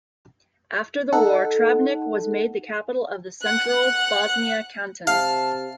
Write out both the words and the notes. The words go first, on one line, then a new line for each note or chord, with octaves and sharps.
After the war, Travnik was made the capital of the Central Bosnia Canton.
D#4 A4 F#5
F#5 F#6
C3 F5 A5